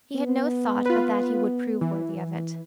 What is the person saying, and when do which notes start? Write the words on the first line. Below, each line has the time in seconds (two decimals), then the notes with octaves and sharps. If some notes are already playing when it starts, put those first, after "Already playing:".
He had no thought but that he would prove worthy of it.
0.15 B3
0.86 F4 B4
1.81 E3